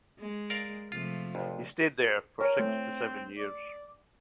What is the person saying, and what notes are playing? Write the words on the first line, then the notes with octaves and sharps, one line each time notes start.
He stayed there for six to seven years.
G#3
A#4 D5 F5
C3 F3 A3 F4
G#1 F2
A#4 C#5
A3 C4
D5